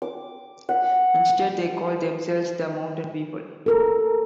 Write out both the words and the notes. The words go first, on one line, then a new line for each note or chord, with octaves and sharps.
Instead, they called themselves The Mountain People.
D6
F#5
A4 A#4